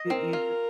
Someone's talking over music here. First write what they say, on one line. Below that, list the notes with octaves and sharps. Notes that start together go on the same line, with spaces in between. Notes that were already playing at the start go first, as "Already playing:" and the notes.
You you ju
Already playing: D#5
C4 A#4
F4